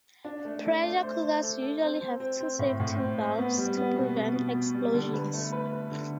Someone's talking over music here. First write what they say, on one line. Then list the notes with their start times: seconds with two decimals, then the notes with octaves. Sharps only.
Pressure cookers usually have two safety valves to prevent explosions.
0.25 D4
0.45 A3
0.64 A4
0.84 A3
1.03 C5
1.23 C5
1.43 A4
1.62 A4
1.82 C4
2.01 C4
2.20 C4
2.40 C4
2.59 A2
2.80 A2
2.99 C4
3.18 C4
3.38 B3
3.58 G3
3.77 B3
3.96 B2
4.16 B2
4.35 B2
4.55 B2
4.74 G3
4.94 D3
5.14 B4
5.33 A3
5.52 B4
5.72 B4
5.92 D3